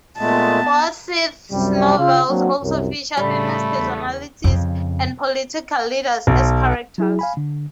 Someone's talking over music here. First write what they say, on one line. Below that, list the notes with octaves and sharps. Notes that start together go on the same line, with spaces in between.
Forsyth's novels also feature famous personalities and political leaders as characters.
A#2 G#3 A3 B3 A5
C2 F#2 C3 G3
C#3 F4
F#3 A#3 C4 D4 F#4
C2 F#2
A2 C#3 G3 A3 B5
E2
F2 C#3
B1
F#3 E4 G#4
F5 G#5 B5
D3